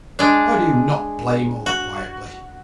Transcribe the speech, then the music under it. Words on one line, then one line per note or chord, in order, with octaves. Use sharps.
Why do you not play more quietly?
G#3 D4
F#4